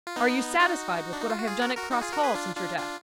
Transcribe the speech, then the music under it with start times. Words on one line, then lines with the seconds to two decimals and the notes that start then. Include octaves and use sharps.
"Are you satisfied with what I have done at Cross Hall since your death?"
0.07 F4
0.16 B3 D#4
0.60 D#4 F#4
1.13 D4
1.21 D#4
1.30 F4
1.39 F#4
1.47 F4 G#4
1.61 F#4 A#4
1.76 F#4 A#4
1.91 D#4 F#4
2.01 F4 G#4
2.12 F#4 A#4
2.23 G#4 B4
2.34 D4 F4
2.56 D4 F4
2.78 D4 F4